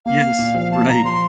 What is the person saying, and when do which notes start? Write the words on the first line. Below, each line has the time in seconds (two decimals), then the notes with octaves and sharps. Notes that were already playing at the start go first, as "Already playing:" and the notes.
Yes, right.
0.06 A#3 F5
0.21 A#3
0.39 A#2
0.55 F3
0.71 A#3 A5
0.87 A#2 A#5
1.04 F3 C6